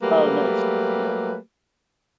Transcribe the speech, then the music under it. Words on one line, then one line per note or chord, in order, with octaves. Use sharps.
Oh nice, yeah.
F#3 G3 A3 A#3 G4 B4